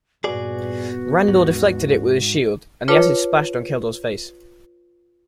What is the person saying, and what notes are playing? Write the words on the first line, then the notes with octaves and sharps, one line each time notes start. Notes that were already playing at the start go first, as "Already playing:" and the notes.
Randor deflected it with his shield, and the acid splashed on Keldor's face.
G2 A#2 B3 F#4 G#4 D5
D#2 G#2
F4 B4 C#5 A5 D6